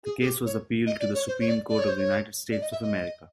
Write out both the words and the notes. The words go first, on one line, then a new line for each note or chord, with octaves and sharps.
The case was appealed to the Supreme Court of the United States of America.
G#4
G#4
G4
C#5
D#5
D5
C#5
C5
C#5
D5
D5
C#5
C5
C#5
D5
D#5
E5
D#5